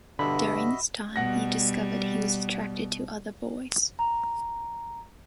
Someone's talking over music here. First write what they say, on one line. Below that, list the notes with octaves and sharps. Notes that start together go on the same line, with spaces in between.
During this time, he discovered he was attracted to other boys.
G2 B2 D3 F#4 D#5 E5 B5
B2 G3 F#5 A#6
A#5